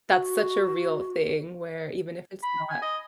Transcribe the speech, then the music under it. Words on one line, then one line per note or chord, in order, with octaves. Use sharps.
that's such a real thing where even if it's not
F#4
B5
G#5
D#5